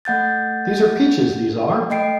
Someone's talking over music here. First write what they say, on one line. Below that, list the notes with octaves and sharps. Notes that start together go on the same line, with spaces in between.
These are peaches, these are.
A3 F#5 G6 A6
A3 D#5 G5 C7 D7